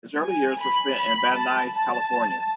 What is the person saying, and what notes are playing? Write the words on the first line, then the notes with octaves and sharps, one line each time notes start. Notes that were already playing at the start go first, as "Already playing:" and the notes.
His early years were spent in Van Nuys, California.
G#5
B5
B5
A5
A5